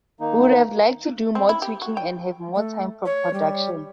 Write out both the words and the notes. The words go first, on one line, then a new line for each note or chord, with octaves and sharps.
We would have liked to do more tweaking, and have more time for production.
D#3 A#3 D#4
C4
E4
G4
F#4
G5
A3
C#5
G3